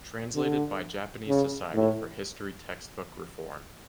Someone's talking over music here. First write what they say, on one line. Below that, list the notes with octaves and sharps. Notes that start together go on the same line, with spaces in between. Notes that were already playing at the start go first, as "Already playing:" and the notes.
Translated by Japanese Society for History Textbook Reform.
D3
C#3
A2